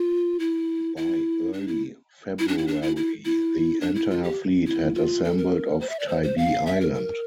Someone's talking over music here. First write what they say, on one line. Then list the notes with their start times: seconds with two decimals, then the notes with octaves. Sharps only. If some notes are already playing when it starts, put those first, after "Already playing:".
By early February the entire fleet had assembled off Tybee Island.
Already playing: F4
0.39 E4
0.97 E4
1.53 D4
1.68 E4
2.39 E4
2.48 D4
2.58 E4
2.67 D4
2.82 E4
2.96 E4
3.25 E4
3.81 D4
3.95 E4
4.10 F4
4.23 G4
4.67 E4
4.95 F4
5.24 A4
5.38 A#4
5.81 C5
5.89 E5
5.99 D5
6.08 C5
6.23 C5
6.38 F5
6.66 E5
6.81 A#4
6.94 A#4